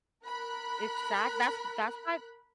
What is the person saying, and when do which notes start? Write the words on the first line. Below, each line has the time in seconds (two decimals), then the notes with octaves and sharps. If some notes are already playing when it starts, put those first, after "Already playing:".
Exact That's that's why
0.25 A#4 B5 F#6